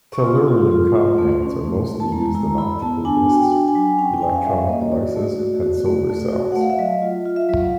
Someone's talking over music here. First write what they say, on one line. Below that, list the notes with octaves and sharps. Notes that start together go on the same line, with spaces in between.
Tellurium compounds are mostly used in optical disks, electronic devices, and solar cells.
C#6
F4 C6
F4
F4
F4
A3
C#4
A3
A3
A5
G#3 A#5
E4 A#5
E4 B5
B3 A5
D4 G#5
F#4
G5
D4
G#5
F#3
C#4 G5
G5
C#4 G#5
F5
G3 E5
A#3 D#5
C#5
F#4 D5
A3
F#4
F#4
A3
A3
F#4
A3 F#5
F5
E5
F#3 D#5
F4
F4
E5
F5
F#3